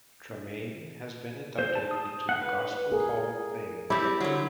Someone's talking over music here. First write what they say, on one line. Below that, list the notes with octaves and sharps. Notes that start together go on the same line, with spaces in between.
Tramaine has been inducted into the Gospel Hall of Fame.
C5
A5
D#6
F#5
B4
G#4 A#4
G3 C4 E4
D3 F#3